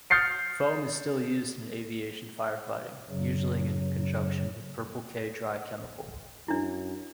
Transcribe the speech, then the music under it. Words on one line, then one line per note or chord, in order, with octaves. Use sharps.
Foam is still used in aviation firefighting, usually in conjunction with Purple-K dry chemical.
D#6 F6 G6 A6 C7 C#7
F#2 C#3 F#3
F#2 D4 E4